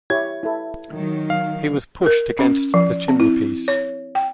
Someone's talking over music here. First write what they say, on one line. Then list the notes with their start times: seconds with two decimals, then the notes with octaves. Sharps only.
He was pushed against the chimney-piece.
0.10 E4 G4 C#5 G#6
0.43 E4 A4
0.92 D#3 F#3
1.30 F5
2.06 A#4
2.39 C#4
2.74 F3
3.08 C4
3.20 E4
3.68 C#5
4.15 G5